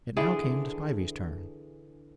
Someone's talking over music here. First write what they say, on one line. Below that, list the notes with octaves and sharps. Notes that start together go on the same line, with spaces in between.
It now came to Spivey's turn.
D3 E3 D4 G#4